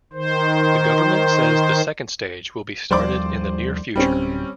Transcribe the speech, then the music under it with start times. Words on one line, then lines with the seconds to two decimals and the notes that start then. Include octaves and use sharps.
The Government says the second stage will be started in the near future.
0.13 D#3 C5
2.91 D#2 F3 G3 C5 D5 D6
3.96 D1 G3 C4 C#4